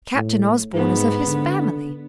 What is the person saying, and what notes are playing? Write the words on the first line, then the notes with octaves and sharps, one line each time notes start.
Captain Osborn is of his family.
A2
G#2 B3
D3